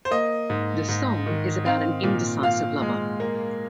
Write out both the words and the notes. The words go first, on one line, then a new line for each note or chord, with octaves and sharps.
The song is about an indecisive lover.
C5
A#3 D#5
G#2
G#2
D#3
C4 F5
A#2
A#2 F5
G#3
A#3